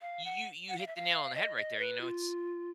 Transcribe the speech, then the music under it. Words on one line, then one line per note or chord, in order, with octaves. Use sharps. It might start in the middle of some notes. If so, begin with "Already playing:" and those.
you you you hit the nail on the head right there, you know, it's
F5
F#5
F#5
F5
E5
F5
D#5
D#5
B4
F4